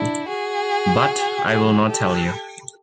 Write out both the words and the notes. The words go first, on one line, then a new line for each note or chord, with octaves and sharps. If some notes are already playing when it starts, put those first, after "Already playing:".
But I will not tell you.
Already playing: D4 E4
F#4 G#4
F#4 G#4
G4 A4